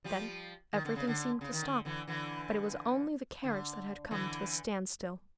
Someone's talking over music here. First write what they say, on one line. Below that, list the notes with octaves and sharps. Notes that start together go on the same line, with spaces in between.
Then everything seemed to stop, but it was only the carriage that had come to a standstill.
F3 G3
D#3
D3
C#3
D3
C#3
D#3
D3
D3 E3
D3 E3
D3
D3 E3